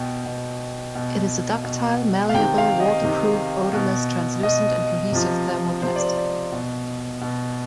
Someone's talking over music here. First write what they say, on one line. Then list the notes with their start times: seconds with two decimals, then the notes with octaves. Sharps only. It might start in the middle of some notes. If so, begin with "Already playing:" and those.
It is a ductile, malleable, waterproof, odorless, translucent and cohesive thermoplastic.
Already playing: B2 G5
0.26 B2
0.95 B2
1.64 B2
2.29 F5
2.34 C3 D#3 G5
2.58 F5
2.80 D#5
3.04 C3 D#3
3.73 B2
4.43 B2 D#5
5.12 C3 F3
5.82 C3 F3 C5
5.96 D5
6.00 C5
6.17 D5
6.52 B2
7.21 B2